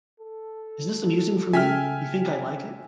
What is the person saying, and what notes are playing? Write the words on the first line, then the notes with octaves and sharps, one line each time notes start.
Is this amusing for me? You think I like it?
A4
C#3 E5 G5 G#5 F6 B6